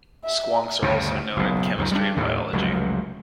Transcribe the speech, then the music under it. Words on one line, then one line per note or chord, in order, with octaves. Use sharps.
Squonks are also known in chemistry and biology.
E5
D2 G2 C#3
F#1 B1
C#2 F#2 D#3
G3 A#3 D4
D#2 A2 D#3
F1 C#2 F#3